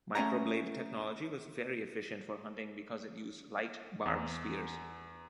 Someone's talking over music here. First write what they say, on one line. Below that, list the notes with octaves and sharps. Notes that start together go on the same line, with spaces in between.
Microblade technology was very efficient for hunting because it used light, barbed spears.
A3 C#4 F#5 A#5
E2